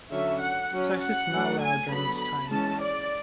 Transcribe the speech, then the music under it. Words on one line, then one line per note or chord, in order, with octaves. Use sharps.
Sex is not allowed during this time.
D3 F#3 C#4 E5
F#5
F#3 C#4
F#5
F#3 A3 D4
G#5
D3 F#3 B3 B5
B5
E3 G#3 C#4 A5
D5